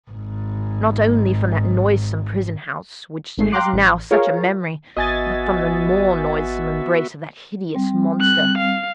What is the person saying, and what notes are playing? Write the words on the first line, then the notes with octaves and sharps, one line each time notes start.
Not only from that noisome prison-house, which has now such a memory, but from the more noisome embrace of that hideous monster.
G#1 G#2
G#1 G#2 G#3 A3 C7
F5 G5 A#5 C6 D6 F#6
A1
F4 G#4 A#4 C#5 F5
G#1 B3 F#4 D#5 E5 G#5 A6
G3 C4
F#6
F5